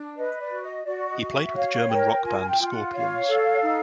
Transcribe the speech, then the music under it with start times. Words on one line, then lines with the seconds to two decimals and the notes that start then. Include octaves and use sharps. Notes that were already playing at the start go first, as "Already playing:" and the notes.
He played with the German rock band Scorpions.
Already playing: D4
0.16 B4 D#5
0.39 D5
0.50 F#4
0.62 D#5
0.85 F#4 D5
1.08 D#5
1.19 F#4
1.31 E5
1.54 C#5 F5
1.89 A#4 G5
2.23 F4 G#5
2.46 G5
2.58 F4
2.69 F#5
2.92 C#5 F5
3.27 A4
3.62 D#4